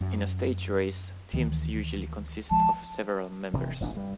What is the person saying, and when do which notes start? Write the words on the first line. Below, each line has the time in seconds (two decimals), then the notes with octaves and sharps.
In a stage race, teams usually consist of several members.
0.01 F#2
1.33 D2 D#3 E3
2.51 A#1 F3 G#3 A5
3.53 E1 D2 C3 E3
3.80 E1 A1 B3 D4
3.94 G2 G3